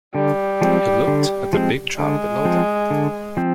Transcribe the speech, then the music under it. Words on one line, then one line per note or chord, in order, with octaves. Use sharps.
He looked at the big drop below them.
D3 G3
F3 G#3 C4
D3
F3 G#3 C4
D3 G#3
F3 C4
D3
F3 C4